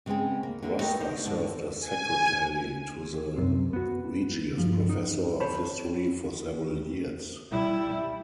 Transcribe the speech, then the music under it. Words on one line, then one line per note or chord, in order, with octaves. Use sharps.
Broster served as secretary to the Regius Professor of History for several years.
C#3 G#3 B3 C4 G#4
A#3
D3 A#3 E4
A3 B3 D#4 G4 A#4
D3 D#4 C5
G#2 D3 A5
G#5
C2 F#2 C4
B3 F#4
G2 F3
D#4
C5 C#5 A5 B5
G3 E4